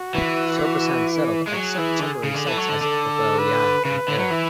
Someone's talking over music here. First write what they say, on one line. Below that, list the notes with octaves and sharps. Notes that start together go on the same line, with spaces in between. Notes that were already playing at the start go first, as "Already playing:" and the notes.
Soposan settled at such temporary sites as Oke-Oyan and Aro.
Already playing: F#4
E3
F#4
G#3
F#3 G#4
E3
D3
C#3
D3
E3 A4
F#3
D3
D3
B4
C#3 B4
D3
F#3
E3